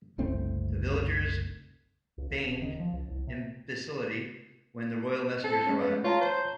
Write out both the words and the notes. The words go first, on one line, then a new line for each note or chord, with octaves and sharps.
The villagers feigned imbecility when the royal messengers arrived.
F#1 C2 A3 C4
C#2
D#2
D#1
D#3
F3
C#2
C2
C3
C4 A4
G#3 A3 C#4
B3
F4 C#5 A5 A#5
C5